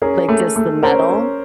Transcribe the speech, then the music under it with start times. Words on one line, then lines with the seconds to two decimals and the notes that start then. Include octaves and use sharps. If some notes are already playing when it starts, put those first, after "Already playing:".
Like, just the metal
0.02 C#4 G#4 A#4
0.29 A3
0.56 A3
0.83 C#4 A#4 C5
1.10 C#4